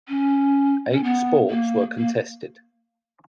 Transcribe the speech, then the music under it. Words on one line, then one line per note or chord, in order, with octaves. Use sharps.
Eight sports were contested.
C#4
C#4
B3
A#3
A#3